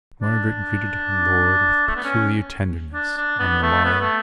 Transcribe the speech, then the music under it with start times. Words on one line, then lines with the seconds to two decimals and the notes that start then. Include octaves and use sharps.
Margaret greeted her lord with peculiar tenderness on the morrow.
0.22 D4
1.87 A3
1.96 B3
2.04 C#4
2.94 D4
3.17 D4
3.39 B3
3.63 A3
3.85 B3
4.01 A3